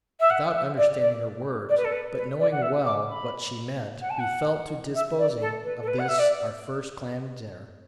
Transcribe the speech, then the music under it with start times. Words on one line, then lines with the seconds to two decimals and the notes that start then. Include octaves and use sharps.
Without understanding her words, but knowing well what she meant, we fell to disposing of this, our first clam dinner.
0.20 E5
0.30 F#5
0.53 E5
0.77 D5
0.99 D5
1.69 D5
1.77 B4
1.84 A4
1.91 B4
2.15 B4
2.39 D5
2.51 F#5
2.62 E5
2.85 D6
3.08 B5
4.01 F#5
4.10 A5
4.19 F#5
4.94 E5
5.18 D5
5.40 A4
5.64 B4
5.82 A4
5.87 B4
5.99 F#5
6.08 E5
6.18 D5